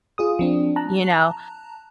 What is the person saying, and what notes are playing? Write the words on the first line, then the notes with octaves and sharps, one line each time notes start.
You know?
F4 G#4 D#6
F3 C4 D4
A5 A#5 F#6